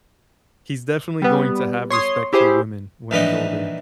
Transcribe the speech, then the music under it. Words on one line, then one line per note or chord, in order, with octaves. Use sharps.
he's definitely going to have respect for women when he's older.
G3 B3
C#5 C6 D#6
E4 G4 G#4 C5
A#1 G2 E3 D#4